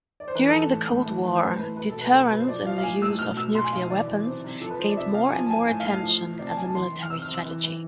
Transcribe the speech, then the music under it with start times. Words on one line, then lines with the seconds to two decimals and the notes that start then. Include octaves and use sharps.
During the Cold War, deterrence in the use of nuclear weapons gained more and more attention as a military strategy.
0.20 D5
0.28 C5
0.35 E3 B4
0.48 A4
0.52 E3
0.59 A4
0.71 A2
0.88 A2
1.06 E3
1.24 E3
1.36 C5
1.42 A2 B4
1.59 A2 B4
1.77 B2 B4
1.89 A4
1.95 B2
2.01 B4
2.12 B2 A4
2.30 B2 B4
2.40 C5
2.48 F3 D5
2.66 F3 F5
2.78 F5
2.83 A2 G#5
3.01 A2 E6
3.19 B2 F6
3.36 B2 E6
3.55 B2 C6
3.64 G#5
3.73 B2 F5
3.90 E3 D5
4.07 E3
4.25 C3 C5
4.44 C3
4.61 F3 A4
4.70 B4
4.79 F3 C5
4.88 D5
4.97 C3 E5
5.14 C3 F5
5.32 F3 G#5
5.46 A5
5.50 F3 G#5
5.67 A2 G#5
5.80 F5
5.85 A2
5.91 F5
6.03 F3
6.21 F3
6.38 C3 D5
6.47 A5
6.57 C3 G#5
6.66 A5
6.74 E3 C6
6.92 E3
7.03 F6
7.10 C3 E6
7.22 F6
7.28 C3
7.34 E6
7.45 E3
7.64 E3